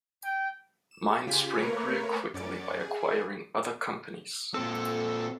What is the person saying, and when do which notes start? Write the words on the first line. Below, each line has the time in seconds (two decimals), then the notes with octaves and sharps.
MindSpring grew quickly by acquiring other companies.
0.24 G5
0.91 E7
1.27 C#3 F4 G4 G#5 B6
1.61 A3 A#3 A#4 B4 C#5
2.34 F#2 C#4 D5 A6 D7
2.79 G#4
4.54 A#2 C4 A4